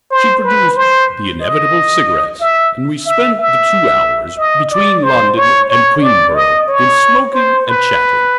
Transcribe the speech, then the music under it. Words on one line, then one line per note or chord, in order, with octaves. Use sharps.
She produced the inevitable cigarettes, and we spent the two hours between London and Queenborough in smoking and chatting.
C5
B4
C5
D#5
E5
E5
E5
D#5
D5
C5
C#5
C#5
D5
D#5
C#5
C5
B4